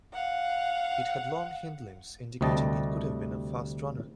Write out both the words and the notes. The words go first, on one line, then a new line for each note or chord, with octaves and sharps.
It had long hindlimbs, indicating it could have been a fast runner.
F5 F#5
D2 C3 G3 D#5 A5